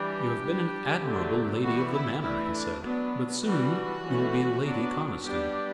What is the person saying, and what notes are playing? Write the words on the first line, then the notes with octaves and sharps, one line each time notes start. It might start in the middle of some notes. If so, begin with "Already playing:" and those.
"You have been an admirable Lady of the Manor," he said. "But soon you will be Lady Conniston."
Already playing: E3 G3 D4 G4
G3 D4
D3 F#3 A3 D4
E3 G3 B3 F#4
E4
E3 A3 D4 E4
D4
F#3 B3 D4
E3 G3 D4 F#4
E3 A3 C#4
F#3 B3 D4
G3 B3 D4 G4